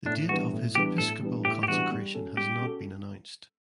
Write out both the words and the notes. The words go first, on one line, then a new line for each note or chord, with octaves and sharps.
The date of his episcopal consecration has not been announced.
A2 D4
E3 G3 B3 D4 F#4
A2
E3 G3 B3 D4 G4
A2 A4
E3 G3 B3 D4
A2 G4
G4
E3 G3 B3 D4 F#4
G3
C#4 F#4 A4
G3 G4
C#4 F#4 A4